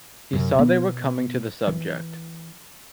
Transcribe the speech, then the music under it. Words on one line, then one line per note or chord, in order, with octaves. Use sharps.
He saw they were coming to the subject.
F#2 C3
B2 B3
E3